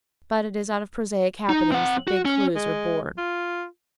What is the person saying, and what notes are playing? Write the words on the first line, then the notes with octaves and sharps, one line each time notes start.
But it is out of prosaic happenings that big clues are born.
D#4
C4 F#5
F#4
C#4
G#3
F4